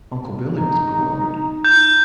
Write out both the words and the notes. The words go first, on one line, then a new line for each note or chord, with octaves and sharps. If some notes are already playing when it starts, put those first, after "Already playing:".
Uncle Billy was bewildered.
D#4
G6